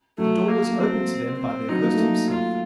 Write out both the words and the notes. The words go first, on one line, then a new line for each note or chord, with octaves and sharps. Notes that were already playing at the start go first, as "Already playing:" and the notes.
The door was opened to them by their host himself.
F#3 A3
A#3
A3
F#3 C4
A#3
C4
F#3 D#4
A#3
A3
A#3
F4